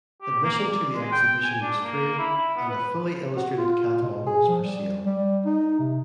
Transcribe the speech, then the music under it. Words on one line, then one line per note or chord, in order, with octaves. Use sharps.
Admission to the exhibition was free and a fully illustrated catalogue was for sale.
G4
A#3
D5
G#3
G5
G#5
D4
A#3
E4
E4
B3
B4
F#4
F4
B2
G#4
F3
G3
G3
D#4
C3